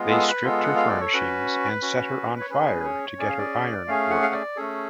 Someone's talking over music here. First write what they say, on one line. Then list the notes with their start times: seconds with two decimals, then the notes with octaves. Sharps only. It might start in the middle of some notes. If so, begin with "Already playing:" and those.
They stript her furnishings and set her on fire to get her iron worke.
Already playing: G#3 B3 F4
0.10 A4
0.27 B4
0.44 G#3 B3 F4 A4
0.63 F#5
0.76 F5
0.88 D5
1.01 C#5
1.13 C#4 F#4 B4
1.82 C#4 F#4
2.40 C#5
2.50 C#4 G#4 B4
2.84 C#5
3.19 C#4 G#4 D5
3.28 F5
3.38 D5
3.87 A3 C#4 G#4 F5
4.10 F#5
4.23 F5
4.33 D5
4.57 A3 C#4 G#4 A4